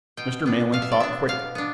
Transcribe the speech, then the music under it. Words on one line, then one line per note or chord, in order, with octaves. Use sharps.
Mr. Manley thought quickly.
B2 G5
B3 D4
B2 F5
E5
D5
B3 D4 E5
B2 F5
B3 D4